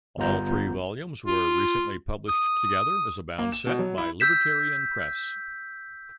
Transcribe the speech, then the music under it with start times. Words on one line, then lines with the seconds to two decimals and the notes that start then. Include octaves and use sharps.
All three volumes were recently published together as a bound set by Libertarian Press.
0.17 G1 G3 B3 F4 A#5 G6
1.26 F4
2.29 D#6
3.39 A#3
3.52 E7
3.67 B2
3.79 F#3
3.98 E4
4.20 E6 G6 B6 E7